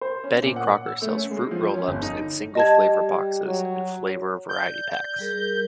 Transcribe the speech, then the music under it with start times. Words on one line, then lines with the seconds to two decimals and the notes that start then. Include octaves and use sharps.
Betty Crocker sells Fruit Roll-Ups in single-flavor boxes and flavor variety packs.
0.01 C5
0.24 C#4
0.42 A#2
0.56 F#5
0.86 E6
1.02 A3
1.15 C#4
1.31 G#3
1.51 F3
1.74 C#4
1.87 G1
2.02 D#4
2.55 G3 D#5 A5 G#6
3.45 F#3
4.49 D5 G6
5.19 G3 G#4 A#4